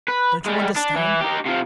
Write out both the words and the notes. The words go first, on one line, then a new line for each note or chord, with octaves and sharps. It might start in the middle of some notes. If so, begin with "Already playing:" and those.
Don't you understand?
B4
G3 G#3
D4
E3
D#4 G4
C3 F3